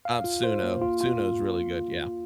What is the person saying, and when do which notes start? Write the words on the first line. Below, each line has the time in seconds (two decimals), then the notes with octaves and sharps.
Um, Suno. Suno's really good, yeah.
0.05 F5
0.24 F4
0.44 C5
0.63 A#3
0.81 F4
1.01 F4